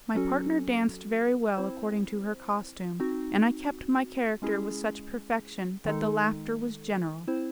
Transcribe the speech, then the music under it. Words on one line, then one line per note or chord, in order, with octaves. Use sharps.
My partner danced very well according to her costume, and I kept my character with such perfection that the laughter was general.
F#3 C#4 F#4 A4
C4 E4 C5
C4 D#4 F#4
G#3 C#4 E4 G#4
D#3 G#3 D#4 A4
C4 E4 C5